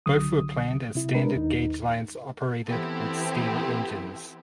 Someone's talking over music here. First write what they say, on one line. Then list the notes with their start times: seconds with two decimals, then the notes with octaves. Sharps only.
Both were planned as standard gauge lines operated with steam engines.
0.06 C2 D3 F#3 D#6
0.95 C3 E4
1.15 G#3 D4 A#4 B4
1.36 D#2 D#4
2.68 E3 B3 C4 E4 G4 A4